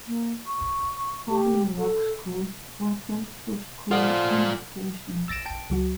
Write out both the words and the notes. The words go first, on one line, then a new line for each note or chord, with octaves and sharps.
Pawnee Rock schools were closed through school unification.
A#3
C#6
G4
A4
F3 F4 A4 D5 F#5
E6 A6 A#6 D7 E7
G5 A5 D7
C#2 F#3 F#4